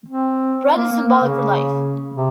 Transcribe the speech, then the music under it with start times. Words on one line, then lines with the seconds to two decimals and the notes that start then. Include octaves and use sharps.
Bread is symbolic for life.
0.08 C4
0.77 A#3
0.92 A#3
1.08 A#3
1.24 C#3
2.15 C3